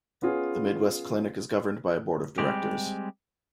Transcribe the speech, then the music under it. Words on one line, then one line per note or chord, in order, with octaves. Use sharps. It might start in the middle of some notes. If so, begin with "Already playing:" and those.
The Midwest Clinic is governed by a Board of Directors.
B3 C#4 F4 G#4 B4
G3 G#3 C4 G4